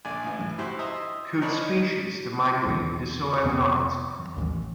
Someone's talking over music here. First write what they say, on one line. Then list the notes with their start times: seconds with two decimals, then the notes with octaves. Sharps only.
Coot species that migrate do so at night.
0.05 A#1 D5 G#5
0.24 A2 E3
0.58 E4 F#4 G4 C5
0.79 C5 D#5 E5 A#5 C6 D#6
1.41 D#4 A#4 C#5 D5 A5 B5
2.66 E2 B2 D#3
3.44 F2 C3 B3 C4
4.37 A1 D#2